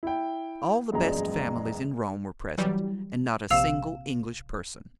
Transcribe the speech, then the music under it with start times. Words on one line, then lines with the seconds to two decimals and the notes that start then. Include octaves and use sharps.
All the best families in Rome were present, and not a single English person.
0.03 E4 G5
0.92 E1 A#1 F#2 G#3 A#5
2.58 E3 F#3 G3
3.50 A#1 C3 F5 E6 E7 F7